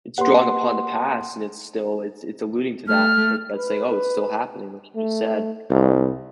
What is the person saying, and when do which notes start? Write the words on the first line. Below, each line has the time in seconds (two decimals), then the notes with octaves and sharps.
it's drawing upon the past, and it's still, it's it's alluding to that that's saying, "Oh, it's still happening like you just said," um
0.18 A#3 G4 B4 F#5 C6
2.88 A3 F6
3.56 B4
4.96 A3
5.71 C2